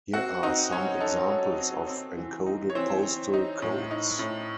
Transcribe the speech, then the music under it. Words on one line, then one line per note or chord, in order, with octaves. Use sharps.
Here are some examples of encoded postal codes.
C4 F#4 F#5
C4 D#4 D#5
F#3 C#4 C#5
D#4 A4
F#3
C4
C4
E3
D#4
C#5
E3 C4 C5
C4
D#4
A2
D#4
A2